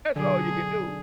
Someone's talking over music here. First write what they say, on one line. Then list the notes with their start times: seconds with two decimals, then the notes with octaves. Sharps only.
all you can do.
0.16 B2 D3 F#3 G#4